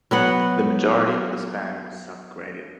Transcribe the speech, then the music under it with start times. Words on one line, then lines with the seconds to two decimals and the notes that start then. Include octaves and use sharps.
The majority of the span was sub-graded.
0.11 F#3 B3 F#5